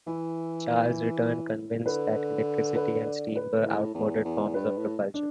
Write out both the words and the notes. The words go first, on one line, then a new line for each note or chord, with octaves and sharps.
Charles returned convinced that electricity and steam were outmoded forms of propulsion.
E3 E4
D3 B4
B4
D5
B4
A2
E2
E2
G2 B4
A2
D4